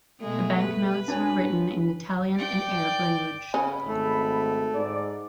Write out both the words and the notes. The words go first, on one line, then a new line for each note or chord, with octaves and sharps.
The banknotes were written in Italian and Arab language.
B2 G#3 A3
B4
F#3 D4 C#5 G#5
D5 G5
C#3 C#4 B5
G#1 A3
G#2 D5